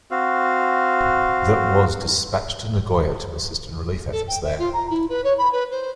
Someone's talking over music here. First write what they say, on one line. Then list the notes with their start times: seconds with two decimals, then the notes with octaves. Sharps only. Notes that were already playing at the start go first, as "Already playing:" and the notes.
The was dispatched to Nagoya to assist in relief efforts there.
0.11 C4 F#4 F5
4.12 A4
4.28 G5
4.44 E5
4.59 F4
4.73 A#5
4.90 E4
5.09 B4
5.24 C#5
5.38 B5
5.52 B4
5.71 C5